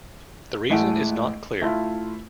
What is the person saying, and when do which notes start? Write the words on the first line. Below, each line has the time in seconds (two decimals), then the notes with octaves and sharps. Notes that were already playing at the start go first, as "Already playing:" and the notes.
The reason is not clear.
0.70 A1 A2 G#3 A3 F#5 D7
1.62 A3 E4 F4